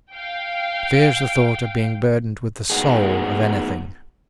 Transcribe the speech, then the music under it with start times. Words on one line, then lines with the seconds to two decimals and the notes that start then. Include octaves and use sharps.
Fears the thought of being burdened with the "soul" of anything.
0.11 F5 G5
2.70 A3 B3 D#4 F#4 G#4